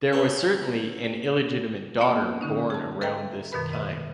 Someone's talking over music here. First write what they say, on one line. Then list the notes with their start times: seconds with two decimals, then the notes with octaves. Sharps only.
There was certainly an illegitimate daughter born around this time.
0.13 B3 C#4 A4
2.01 A#3 B3 F4 D5 G#5
2.41 D3 C#4 D#4
2.70 G#4 A5
3.01 A4 B4 E5 F5 G5 A#5
3.52 F#2 B2 D#3 A#4 B4 B5
3.72 B4 D#5 E5